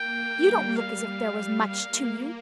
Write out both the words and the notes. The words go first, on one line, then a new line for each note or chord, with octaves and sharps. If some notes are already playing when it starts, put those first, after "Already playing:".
You don't look as if there was much to you.
Already playing: A#3 G5
G3
G3 F5
A#3 F5